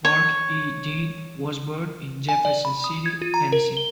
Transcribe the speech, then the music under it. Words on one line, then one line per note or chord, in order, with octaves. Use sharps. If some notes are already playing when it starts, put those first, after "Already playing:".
Mark E. Dean was born in Jefferson City, Tennessee.
C#5
G#5
D5
B5
D#6
G#6
F4
A#5
A#4
G7